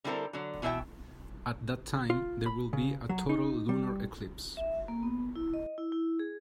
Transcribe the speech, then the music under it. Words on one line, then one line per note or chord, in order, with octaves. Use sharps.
At that time there will be a total lunar eclipse.
D3 G3 C4 E4 A4 A#4
D3 F#3
B2 E3 E4 G#4 E5 G5
F4
B5
C#3
F#3
D#4
G3
E5
A#3
B3
E4
D#5
E4
E4
G#4